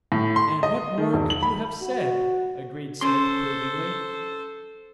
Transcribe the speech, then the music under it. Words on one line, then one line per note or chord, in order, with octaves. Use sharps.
"And what more could you have said?" agreed Smith approvingly.
A2
C6
D#5
D#3
E1
F#7
B5
F#4
C#4 A4 C5 C6